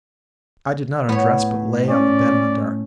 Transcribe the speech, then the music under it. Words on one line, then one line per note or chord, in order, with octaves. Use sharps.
I did not undress, but lay on the bed in the dark.
A2 B3 C#5
C#4 D5